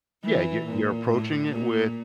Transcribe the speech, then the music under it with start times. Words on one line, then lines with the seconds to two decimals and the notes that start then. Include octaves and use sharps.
Yeah, you you're approaching it with,
0.23 E3
0.66 A#2
1.09 A2
1.52 A#2